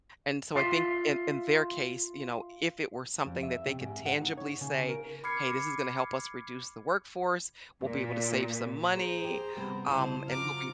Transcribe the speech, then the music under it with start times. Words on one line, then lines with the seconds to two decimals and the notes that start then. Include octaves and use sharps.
And so I think in in their case, you know, if it were something that they could tangibly say, "Hey, this is gonna help us reduce the workforce, we'll be able to save some money, um, and we'll be"
0.55 F4 E5
3.26 F2
3.43 E5
3.66 C3
3.81 G#2
4.06 F#5
4.21 D#4
4.37 C#5
4.61 C#3
4.89 A#4
5.24 B5 D6 F6 G#6 C7 C#7
7.82 A#2
8.92 G#4 C5 A#5
9.24 G4
9.57 C3 G3 B3 C4 B5
9.89 C#3 E4 C5 D#5 A5
10.28 F4 F#4 D#5 A#5 D6 F6